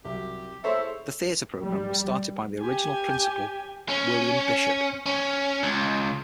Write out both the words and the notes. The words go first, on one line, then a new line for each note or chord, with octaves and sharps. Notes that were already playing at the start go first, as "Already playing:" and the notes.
The theatre program was started by the original principal William Bishop.
C2 F#3 G4 E5
E4 G#4 A4 C5 C#5 E5
G3
G4 G#5
C#4
C#4
C#2